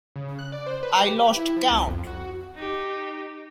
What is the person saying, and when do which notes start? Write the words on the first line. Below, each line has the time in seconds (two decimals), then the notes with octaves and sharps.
I lost count.
0.16 C#3
0.39 F#6
0.52 D5
0.66 C5
0.83 B4
1.01 G4
1.36 E4
1.56 F3
1.70 C2
1.87 F2
2.07 F#4
2.55 D#4 G4